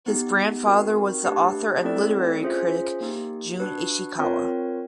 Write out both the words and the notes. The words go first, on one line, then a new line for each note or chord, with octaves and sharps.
His grandfather was the author and literary critic Jun Ishikawa.
B3 D#4 G4
C4 D#4 F#4 A#4
A3 D4 G4 B4
A3 C4 E4 A4 D5
C#4 F4 G#4 C5 E5
A#3 D#4 G4
D4 F#4 B4
C4 F4 A#4 C#5